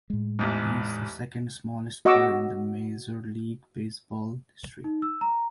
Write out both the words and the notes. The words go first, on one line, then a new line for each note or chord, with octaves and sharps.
He is the second-smallest player in major league baseball history.
A2 G#3
A1 E2 G#2
F#4 D#5 F#5 C#6 D6 E6
D#4
E6
A#5